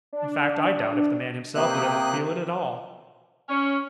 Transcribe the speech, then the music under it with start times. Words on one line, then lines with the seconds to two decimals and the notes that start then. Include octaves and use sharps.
In fact, I doubt if the man himself would ever feel it, at all.
0.13 D4
1.55 C3 A#3 E5 G5 D#6 F#6
3.49 C#4